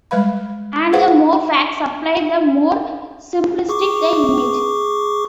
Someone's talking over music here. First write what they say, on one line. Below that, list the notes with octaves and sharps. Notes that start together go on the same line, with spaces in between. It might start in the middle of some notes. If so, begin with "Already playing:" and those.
And the more facts supplied, the more simplistic the image.
G3 G#3 B4 F5 B5
G#4 B4 C5 F5 F#5
G#4 C#6 D6